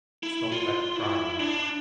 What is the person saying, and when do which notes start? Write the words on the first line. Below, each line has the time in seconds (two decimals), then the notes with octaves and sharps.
'Stop that crying.
0.23 E4
0.52 F4
0.96 E4
1.39 D4